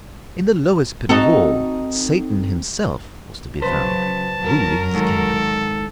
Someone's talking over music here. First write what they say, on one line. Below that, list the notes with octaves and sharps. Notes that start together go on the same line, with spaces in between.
In the lowest pit of all Satan himself was to be found, ruling his kingdom.
C4 D#4 F#4 A4
C#3 F#3 B4 C5 A5
F#3 A#4
G#2 D#3 A4